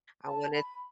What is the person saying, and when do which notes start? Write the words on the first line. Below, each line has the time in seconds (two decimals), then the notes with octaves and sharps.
I wanted
0.24 A5
0.53 B5